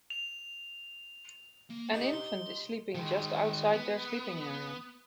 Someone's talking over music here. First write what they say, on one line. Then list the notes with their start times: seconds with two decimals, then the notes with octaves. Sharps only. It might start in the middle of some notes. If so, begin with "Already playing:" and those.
An infant is sleeping just outside their sleeping area.
0.10 F7
1.70 A#3
1.94 C3 D#4 G4 B4 D5
2.12 C6
2.95 D#3 G#3
3.73 B3